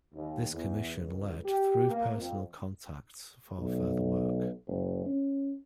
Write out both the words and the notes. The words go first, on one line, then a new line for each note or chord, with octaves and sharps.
This commission led, through personal contacts, for further work.
D#2
E2
C#2
G4
A#3
F2
B1
F#1
C#4